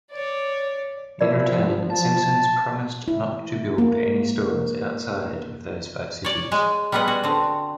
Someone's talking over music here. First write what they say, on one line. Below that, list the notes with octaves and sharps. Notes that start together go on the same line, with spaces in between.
In return, Simpson's promised not to build any stores outside of those five cities.
C#5 D5
F3 E4 A#4 D5
A5
E4
A#3
C#5 D5
G#3
G3 G#3 B3 G#4 F#5
F#4
D3 C4